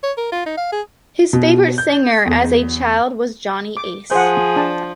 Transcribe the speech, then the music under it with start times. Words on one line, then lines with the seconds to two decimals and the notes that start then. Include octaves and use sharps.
His favorite singer as a child was Johnny Ace.
0.03 C#5
0.17 A#4
0.32 F4
0.46 D#4
0.57 F5
0.72 G#4
1.33 B2
1.78 G6
2.26 E2
3.77 D6
4.11 F3 G#4 C5 F#5
4.56 D4 A5